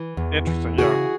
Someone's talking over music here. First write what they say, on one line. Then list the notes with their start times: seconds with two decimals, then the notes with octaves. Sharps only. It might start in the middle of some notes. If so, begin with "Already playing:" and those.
Interesting, yeah.
Already playing: E3
0.17 E2
0.47 E3
0.78 C#3 F#4 G#4